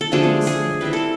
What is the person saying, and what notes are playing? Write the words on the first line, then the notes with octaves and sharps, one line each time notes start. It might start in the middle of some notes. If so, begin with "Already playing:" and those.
Liddy sniffed.
A4
D3 F3 A3 D4 G#4
G#4
G3 C4 E4 B4
A4